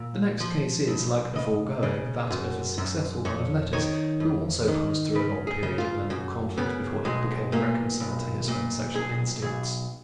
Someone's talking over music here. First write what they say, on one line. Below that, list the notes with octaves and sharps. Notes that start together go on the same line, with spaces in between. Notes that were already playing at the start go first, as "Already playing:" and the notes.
The next case is, like the foregoing, that of a successful man of letters who also passed through a long period of mental conflict before he became reconciled to his homosexual instincts.
Already playing: A#2
F3
B1
C#3 D#5
C#3
F#2
F#2
F2 C#5
D#3 C#5
F2
D#3
C#3 B4
G#4
C#3
F4
F#2
C#3 B3
B1 G#3
A#2 A#3
B1
A#2
B1 G#4
B1 G#4